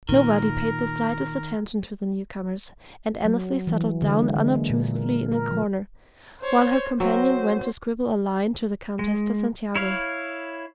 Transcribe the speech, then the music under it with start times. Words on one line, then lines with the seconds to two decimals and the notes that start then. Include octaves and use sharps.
Nobody paid the slightest attention to the newcomers, and Annesley settled down unobtrusively in a corner, while her companion went to scribble a line to the Countess de Santiago.
0.09 A#2 D#3 A#4
3.25 F#3
3.67 E3
4.02 D3
4.22 G#3
4.36 D3
4.55 A#3
4.70 A#2
4.96 A#4
5.32 A#4
5.51 F3
6.41 C5 C#5
7.00 F#3 C4 A#4 C5
8.99 G#3
9.75 E4 C#5 F5